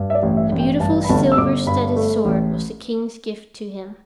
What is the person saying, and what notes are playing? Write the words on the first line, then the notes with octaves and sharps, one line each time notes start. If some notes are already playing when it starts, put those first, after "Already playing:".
A beautiful silver-studded sword was the King's gift to him.
Already playing: G2
E5
D5
A1
E5
A1
G5
G2 A5
B5
G1 A5
E6
G1 D6
G2 B5
A3
A1